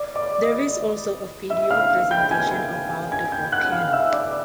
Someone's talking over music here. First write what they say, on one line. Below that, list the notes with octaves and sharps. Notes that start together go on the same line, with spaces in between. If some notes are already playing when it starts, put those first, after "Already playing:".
There is also a video presentation about the volcano.
Already playing: D5 D6
D5 D6
D#5 D#6
E5 E6
F5 F6
G5 G6
G#5 G#6
G#5 G#6
G5 G6
F#5 F#6
F5 F6
E5 E6
D5 D6